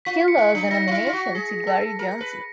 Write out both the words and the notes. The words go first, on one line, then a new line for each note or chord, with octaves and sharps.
He lost the nomination to Gary Johnson.
F4 B6
C#7
E4
C#7
D4
D#4 A#6
F4
E4
F4
F#4
G#4
A4
A#4
B4